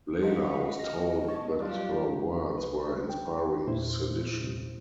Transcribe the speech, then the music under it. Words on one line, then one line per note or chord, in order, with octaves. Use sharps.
Leyla was told that her words were inspiring sedition.
F#2 D#3 F3 F#4 B4 D#5 F5
A#3 F#4 F6 A#6
B2 G#3 C#5 A5
G2 F#3 D4 F4 G4
C2 B4
G5
E2 A#2 E4 C5